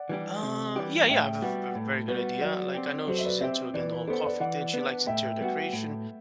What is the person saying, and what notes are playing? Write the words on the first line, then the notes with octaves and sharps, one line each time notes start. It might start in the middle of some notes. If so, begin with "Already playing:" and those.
Uh, yeah, yeah, I have a v v very good idea. Like, I know she's into, again, the whole coffee thing, she likes interior decoration,
Already playing: D5 F#5
E3 G3 D4 G4
C3
E3 G3 D4 G4
A2 E5 G5
G3 B3 F#4
A2
G3 B3 F#4
F#3 D5 F#5
C4 G4
F#3 A4 C5
E5
B4 D5
C4 G4 C5 E5
E3 B4 D5
B4
B3 D4 A4 C5
B4 D5
E3 D5 F#5
B3 D4
A2 E5 G5
G3 B3 F#4
A2